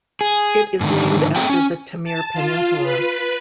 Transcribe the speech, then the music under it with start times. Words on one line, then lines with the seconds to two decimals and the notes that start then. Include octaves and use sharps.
It is named after the Taymyr Peninsula.
0.21 G#4
0.81 G#2 D3 D#3
1.36 A3 C4 G#4 G5
1.49 C#4
2.05 A5
2.33 F4
2.83 B4